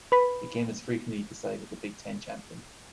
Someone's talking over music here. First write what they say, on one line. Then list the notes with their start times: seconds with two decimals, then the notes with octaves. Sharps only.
The game has frequently decided the Big Ten Champion.
0.12 B4 B5